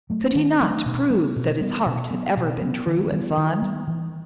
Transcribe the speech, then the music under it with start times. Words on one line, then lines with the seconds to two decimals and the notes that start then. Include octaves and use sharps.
Could he not prove that his heart had ever been true and fond?
0.10 F#3 A3
0.35 D#3
0.60 F#3 A3
0.86 B2
1.10 G3 B3
1.36 B2
1.61 G3 B3
1.86 B2
2.11 F#3 B3
2.37 B2
2.61 F#3 B3
2.87 D#3
3.12 G3 B3
3.37 D#3
3.62 G3 B3
3.88 E3